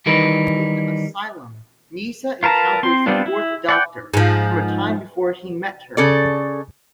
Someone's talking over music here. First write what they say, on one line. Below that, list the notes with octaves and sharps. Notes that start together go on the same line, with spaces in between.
In "Asylum", Nyssa encounters the Fourth Doctor from a time before he met her.
D#3 E3 G3 D#4 A#4 B4
F4 A#4 B4 A5 A#5
C4 C6
G3 B3 C4 D4 F4
E4
D5 F#5 G5
G#2 F3
C#3 A4 D5